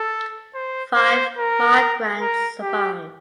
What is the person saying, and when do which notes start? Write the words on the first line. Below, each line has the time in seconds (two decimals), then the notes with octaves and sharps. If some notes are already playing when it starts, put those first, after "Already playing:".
Five migrants survived.
Already playing: A4
0.55 C5
0.96 C5
1.38 A#4
2.21 A#4
2.61 G4